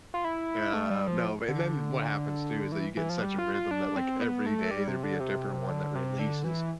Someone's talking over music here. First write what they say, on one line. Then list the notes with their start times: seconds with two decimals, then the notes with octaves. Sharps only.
Yeah, no, and then what happens too is that you get in such a rhythm that, like, every day there'd be a different one that releases.
0.14 F4
0.24 E4
0.73 A3
0.90 G3
1.07 F3
1.48 D3
2.72 E3
2.97 E3
3.09 F3
3.22 G3
3.39 F4
3.54 F4
3.71 D4
3.96 C4
4.21 B3
4.46 A3
4.71 G3
4.88 C3
5.03 D3
5.20 C3
5.70 D3
5.95 C3
6.19 D3
6.44 E3